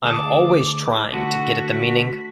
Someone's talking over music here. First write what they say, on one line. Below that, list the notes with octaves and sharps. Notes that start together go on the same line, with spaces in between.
I'm always trying to get at the meaning.
D2 G#4 A5 D6
D3 A3 F#4 F#5 B6